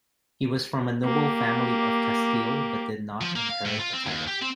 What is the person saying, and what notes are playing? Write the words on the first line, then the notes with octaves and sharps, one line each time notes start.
He was from a noble family of Castile, but did not inherit a title.
A#3 G4
F3
A#3
F5
A2
F4
C4
D#2
G4
C4